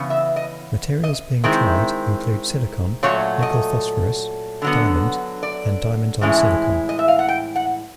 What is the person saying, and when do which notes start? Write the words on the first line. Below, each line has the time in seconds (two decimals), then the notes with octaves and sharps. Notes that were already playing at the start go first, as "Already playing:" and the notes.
Materials being tried include silicon, nickel phosphorus, diamond, and diamond-on-silicon.
Already playing: C#3 E3 B3
0.10 E5
0.36 D#5
1.04 D#5
1.44 D#3 G#3 C4 E4
3.03 A#2 F#3 A3 C#5
3.42 D#5
4.62 D3 F#3 B3
5.43 D5
6.21 A2 E3 G#3 C#4 E4
6.89 D#5
6.99 E5
7.08 F5
7.19 F#5
7.28 G5
7.56 F#5